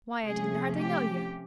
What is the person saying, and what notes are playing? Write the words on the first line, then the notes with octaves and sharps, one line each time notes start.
"Why, I didn't hardly know you!"
C3 F3 A3 C#4 G#4
G4